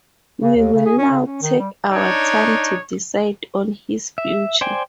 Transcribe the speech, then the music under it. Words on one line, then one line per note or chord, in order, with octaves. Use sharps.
We will now take our time to decide on his future.
C#3
D#2
C#3
G#4
C#4
C#3
C#4
D#3
G3
D4 D#4 C#5
E5
C5 D5 G5 G#5